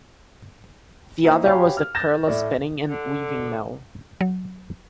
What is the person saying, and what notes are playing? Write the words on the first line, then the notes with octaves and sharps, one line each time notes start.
The other was the Kurla Spinning and Weaving Mill.
A#3 D#4 E4 A#4 C5
F#4 G4 C#5 F5 G#5 B5
F6
G6 A6 A#6 E7
A2 A3 D5
D3
F#3